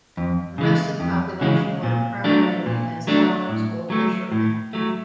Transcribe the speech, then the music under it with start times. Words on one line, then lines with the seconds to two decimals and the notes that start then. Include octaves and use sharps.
The rest of the population work primarily as farmers or fishermen.
0.17 F2
0.58 C#3 E3 G#3
1.00 F2
1.41 C#3 E3 G#3
1.83 A#2
2.24 F#3 A3 D4
2.66 A#2
3.07 F#3 A3 D4
3.49 A2
3.90 F#3 A3
4.32 A2
4.73 F#3 A3